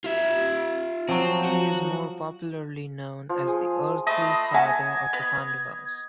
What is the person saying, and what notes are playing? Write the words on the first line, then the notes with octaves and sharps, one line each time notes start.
He is more popularly known as the earthly father of the Pandavas.
F4 E5
F3 F#3 C4
F#4
F3
G#4
A3 D#5 A5 B5 C6
E5 F#5 G#5 A5 G#6
B3 B4